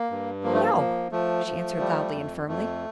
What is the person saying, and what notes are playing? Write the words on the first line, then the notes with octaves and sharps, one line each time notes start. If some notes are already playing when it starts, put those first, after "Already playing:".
"No!" she answered, loudly and firmly.
Already playing: A#3
G2
F3 A#3
A3
A#3
F3
F3 A3
F3
G3
F2
F2 A3